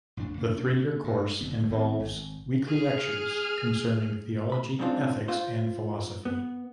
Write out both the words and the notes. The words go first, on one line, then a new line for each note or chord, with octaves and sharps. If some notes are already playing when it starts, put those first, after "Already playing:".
The three-year course involves weekly lectures concerning theology, ethics and philosophy.
A1 F2 C#3 D4
C#3 A#3 D4
G2
F#1 D2 D3 B3
G#1 B3 C4
G#1
G#4 F6
B5
G#2 C#3 E3 C4 D4 F4
F4 C5
B3